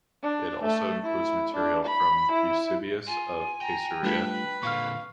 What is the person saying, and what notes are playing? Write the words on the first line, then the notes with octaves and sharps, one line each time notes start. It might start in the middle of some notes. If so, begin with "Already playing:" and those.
It also includes material from Eusebius of Caesarea.
D4
A3
E4
D4
B5
E4
F4 G#5
G5 A#5
G3 A3 D4 F4 B4 B5
A#2 D3 F5 C#6 F6